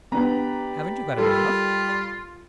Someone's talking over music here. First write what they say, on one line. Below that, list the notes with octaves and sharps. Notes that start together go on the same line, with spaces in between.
"Haven't you got enough?"
B3 D4 G4 B4 D5 A#5 B5
G3 F4 A4 A#4